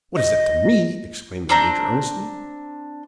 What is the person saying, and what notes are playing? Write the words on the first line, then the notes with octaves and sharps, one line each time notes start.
"What is that to me!" exclaimed the Major, earnestly.
D#5
C4 D4 A#5 G6